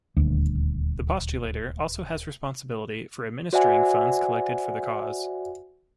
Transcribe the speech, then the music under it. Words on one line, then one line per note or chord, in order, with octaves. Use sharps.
The postulator also has responsibility for administering funds collected for the cause.
D#1 D2
F#4 C5 D5 E5 F#5 G#5